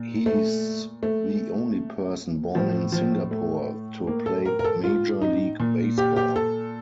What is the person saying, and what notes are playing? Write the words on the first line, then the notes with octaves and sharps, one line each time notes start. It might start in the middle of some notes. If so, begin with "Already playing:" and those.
He is the only person born in Singapore to play Major League Baseball.
Already playing: A#2
A3
A3
A2 F3
F3
A3
A#3
A4
A#4
A#4
A4
F4
D#4
A#2
G4
G4
A4